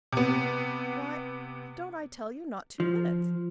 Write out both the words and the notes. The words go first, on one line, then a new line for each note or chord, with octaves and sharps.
Why, don't I tell you, not two minutes.
C3 B3
F3